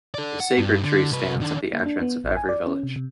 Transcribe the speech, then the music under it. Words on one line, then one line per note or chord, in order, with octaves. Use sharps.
A sacred tree stands at the entrance of every village.
A4 D5
F#5
G2
D3
C2 B4
D#3 D4
A#3
D4
B3
A1
G#5
D5
C#4
C3
C3